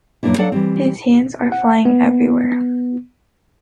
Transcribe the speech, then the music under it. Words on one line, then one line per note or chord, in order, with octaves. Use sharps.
His hands are flying everywhere.
F#2 A#2 A#3 B3 D4 E4
F#3 D4 A4 D5 F5 F#5
E3 G3 C4
F#5
B3